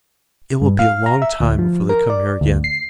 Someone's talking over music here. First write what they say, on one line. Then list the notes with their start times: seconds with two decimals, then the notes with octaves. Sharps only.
It will be a long time before they come here again.
0.62 G2
0.79 F5
1.06 A#5
1.22 E5
1.41 D2
1.59 F3
1.89 A#4
2.10 D5
2.41 D2
2.64 C7